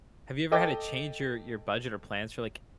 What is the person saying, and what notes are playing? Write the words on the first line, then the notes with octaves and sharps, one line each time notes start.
Have you ever had to change your your budget or plans for, like,
A4 D#5 G5 D6